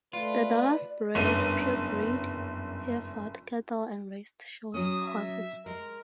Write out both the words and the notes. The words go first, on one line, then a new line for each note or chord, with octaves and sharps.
The Dollars bred purebred Hereford cattle and raised show horses.
A3 F4 B4 D5
F#1 G2 E3 B3 D#7
F#3 C#4 D#6
E5
G#3 A#4